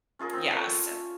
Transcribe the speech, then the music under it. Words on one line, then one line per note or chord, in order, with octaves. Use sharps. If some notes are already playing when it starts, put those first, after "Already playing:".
yeah, so
C#4 F4 G#4 A#4
C4
C#4 A4 C#6
G#5